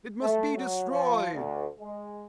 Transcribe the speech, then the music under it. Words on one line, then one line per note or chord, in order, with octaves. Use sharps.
"It must be destroyed!"
A3
F#3
F3
D2
G#3